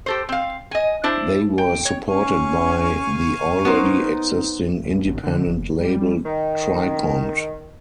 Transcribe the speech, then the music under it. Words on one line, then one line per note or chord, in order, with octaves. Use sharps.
They were supported by the already existing independent label Trikont.
G4 A4 C5
C4 F5
D#5 G#5
D4 E4 C5
G5
C#5
C#4 F5 G#5 C#6
B3 D#4 A#4 C5
C#2
G#1
D3
F#1
G3
D#3